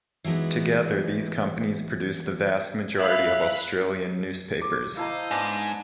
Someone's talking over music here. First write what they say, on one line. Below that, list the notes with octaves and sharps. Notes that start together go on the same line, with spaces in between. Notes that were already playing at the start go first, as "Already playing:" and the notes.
Together these companies produce the vast majority of Australian newspapers.
E3 F#3 G#3 B3 D#4
E5 F5 B5 F#6
D6
E4 C5 D#5 F5 A5 A#5
G#2 B3 D4